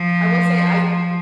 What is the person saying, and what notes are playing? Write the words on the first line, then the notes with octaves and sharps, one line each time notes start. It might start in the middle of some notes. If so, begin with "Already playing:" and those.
I will say I
Already playing: F3